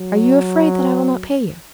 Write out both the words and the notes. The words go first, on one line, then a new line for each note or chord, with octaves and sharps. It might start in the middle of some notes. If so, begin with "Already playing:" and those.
Are you afraid that I will not pay you?
Already playing: F#3